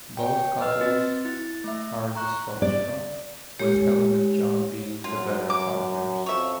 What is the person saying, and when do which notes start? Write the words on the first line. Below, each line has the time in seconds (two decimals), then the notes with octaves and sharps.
Both couples are dysfunctional with Helen and John being the better partners.
0.17 C#5 G5
0.61 B4 D#5 E6 F6
0.81 C4 F#4 A6
1.25 E4 A6
1.64 A3 E5
2.15 A#5 C#6 F#6
2.62 D5
3.59 G#3 G4 C#5
5.04 F#2 F4
5.50 D6
6.26 F2 C#5 E5